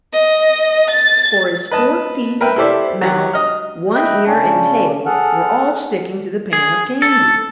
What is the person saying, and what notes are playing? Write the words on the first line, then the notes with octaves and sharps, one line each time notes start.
For his four feet, mouth, one ear and tail were all sticking to the pan of candy.
D#5
A6
B4 D#5 A5
A#4 B4 E5 G5
E4 G4 A4 C5 D5 E5
F#3 G4 F#5
D#5 F6
D#5 E5 G5 B5 F#6
C#3 C#4 D4
G#4 A4 F#5 F6
G#4
A4